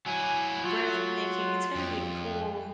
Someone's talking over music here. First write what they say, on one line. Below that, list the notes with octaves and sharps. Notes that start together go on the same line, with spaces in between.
bread making, it's gonna be a cool,
F#3 E4 G#5
F#3 F4
F2